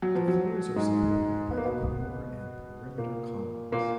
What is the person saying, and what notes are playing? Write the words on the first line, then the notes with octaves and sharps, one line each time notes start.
The floors are supported by the core and perimeter columns.
F#3
F3
F#3
G#2 G#3
B3
A#3
B2 B3
A#2 A#3
A#2 A#3